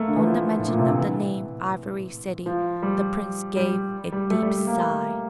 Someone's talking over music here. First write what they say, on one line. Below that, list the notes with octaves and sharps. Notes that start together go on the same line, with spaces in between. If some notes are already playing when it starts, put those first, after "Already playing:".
On the mention of the name Ivory City the prince gave a deep sigh.
Already playing: A3 A#3
D3
E3
F3
A2
A#2
C3
D3
E3
F3
G3
G3
G3
A3
G3
A3
A#3